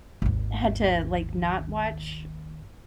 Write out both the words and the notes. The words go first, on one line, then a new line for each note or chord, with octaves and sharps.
Had to, like, not watch
G#1 D#2